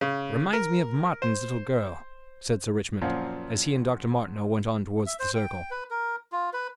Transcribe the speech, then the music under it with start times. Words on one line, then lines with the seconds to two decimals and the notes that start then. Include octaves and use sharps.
"Reminds me of Martin's little girl," said Sir Richmond, as he and Dr. Martineau went on towards the circle.
0.01 C#3
0.53 A#4
1.22 C5
3.02 F#2 A#2 F3
5.06 E5
5.19 C5
5.35 G5
5.71 B4
5.90 A#4
6.32 F4
6.53 B4